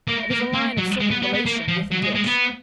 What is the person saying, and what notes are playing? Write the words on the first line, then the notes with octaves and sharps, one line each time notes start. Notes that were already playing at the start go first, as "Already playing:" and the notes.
It is a line of circumvallation with a ditch.
A#3
A#3
A#3
F#3
G#3
B3
B3
B3
A#3
F3
F#3
G#3
G#3
B3